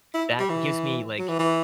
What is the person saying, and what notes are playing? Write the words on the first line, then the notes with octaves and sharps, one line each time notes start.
that gives me, like,
E4
G3
E3
F#3
E3
E3